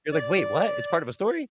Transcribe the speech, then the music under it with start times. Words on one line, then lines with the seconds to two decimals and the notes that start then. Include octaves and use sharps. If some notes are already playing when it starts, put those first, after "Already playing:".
You're like, "Wait, what? It's part of a story?
0.12 D5